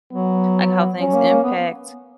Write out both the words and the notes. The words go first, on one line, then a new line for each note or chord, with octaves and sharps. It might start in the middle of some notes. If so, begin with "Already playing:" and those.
like how things impact.
F#3 B3
F#3 C#4
A#3
A#3
B3